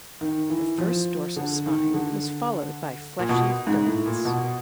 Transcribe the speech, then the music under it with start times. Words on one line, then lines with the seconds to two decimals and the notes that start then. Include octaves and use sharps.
The first dorsal spine is followed by fleshy filaments.
0.21 D#3
0.50 E3
0.78 F3
1.36 D3
1.66 D#3
1.94 D3
3.19 A#2
3.29 B2
3.67 G#2
3.87 A2
4.06 A#2
4.25 B2